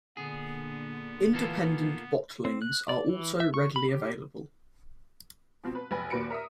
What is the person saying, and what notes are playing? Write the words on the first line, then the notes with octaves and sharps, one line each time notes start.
Independent bottlings are also readily available.
A#2 D3 B3 G#4
E3 A#3 F4 A4
C4
F#6
D5
E3
E5
C#6
B5
G4
B2 F3 C4
B4
F1 B1 B4 G#5
D#2 A#2 F#3 B4 C#7 D7
A#4 E5 A#5 D#6